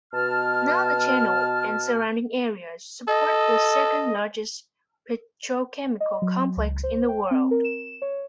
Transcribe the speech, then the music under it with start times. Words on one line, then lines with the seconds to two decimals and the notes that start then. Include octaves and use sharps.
Now the channel and surrounding area support the second-largest petrochemical complex in the world.
0.13 B2 A5 F6
3.08 A4 D#5
6.00 D#5
6.22 F#3
6.57 C#2
6.83 C5
7.09 G5
7.31 C4
7.51 A#4
7.64 E7
8.02 C#5